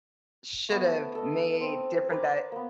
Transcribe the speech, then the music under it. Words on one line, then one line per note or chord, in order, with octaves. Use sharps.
should've made different that
A3 B3
A5
A4 D#5
C4
A#4 B4 G#5 D6
A#3 B3